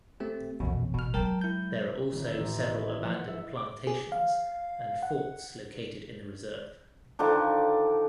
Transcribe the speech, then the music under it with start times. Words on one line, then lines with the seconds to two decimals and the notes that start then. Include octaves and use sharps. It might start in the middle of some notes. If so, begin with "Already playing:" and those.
There are also several abandoned plantations and forts located in the reserve.
0.20 A3 C4 G4
0.60 A#1 F2 B2 E3
0.94 A1 B2 F6
1.14 F#3 G#3 A#4 G5 A5
1.41 E4 G6
2.12 D#1
2.25 E5
2.38 A1
2.58 D#5
2.75 B4
2.88 G#6
3.03 F3
3.15 F#5
3.27 E5
3.57 D6
3.87 G#4
4.12 F5
5.03 F#5
7.19 D3 D#3 F3 D4